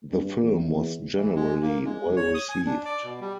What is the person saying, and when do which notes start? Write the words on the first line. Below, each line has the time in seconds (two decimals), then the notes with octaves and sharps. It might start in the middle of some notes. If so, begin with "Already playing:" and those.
The film was generally well received.
0.11 G2
0.40 E2
1.16 E3
1.35 G#3
1.62 A#3
1.85 G#3
2.16 C#5
2.34 D#6
2.49 G#5
2.66 D4
2.85 D5
3.04 B2
3.20 G3